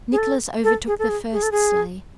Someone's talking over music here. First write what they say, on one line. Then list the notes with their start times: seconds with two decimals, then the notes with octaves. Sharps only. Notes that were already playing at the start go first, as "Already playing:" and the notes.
Nicholas overtook the first sleigh.
0.12 G#4
0.18 A4
0.64 A4
0.87 G#4
0.99 A4
1.09 G#4
1.33 G#4
1.43 A4
1.52 G#4